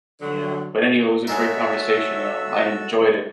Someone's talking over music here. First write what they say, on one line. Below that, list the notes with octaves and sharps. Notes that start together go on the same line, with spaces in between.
Yeah. But anyhow, it was a great conversation, um, I enjoyed it.
D3 F#3
G#3 F#4 A4 A#4 C#5 E5 E6